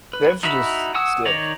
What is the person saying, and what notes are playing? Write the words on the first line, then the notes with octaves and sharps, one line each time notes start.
That's just Steph.
B4
D#4 E4 F#4 E5 B5
F#5 G#5 C#6 D#6 E6
D#3 D#4 C#5 D5